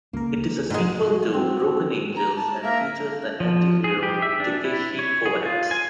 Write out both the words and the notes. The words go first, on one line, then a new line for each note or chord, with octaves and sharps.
It is a sequel to "Broken Angels", and features the anti-hero Takeshi Kovacs.
C#2 A#3 A#4
G#2 G#3
F#4
C4
A#5
A5
A#3 A#4 E5
F3
G#4
G4
E5
D4
E4
C#5
G#4
F4
G#5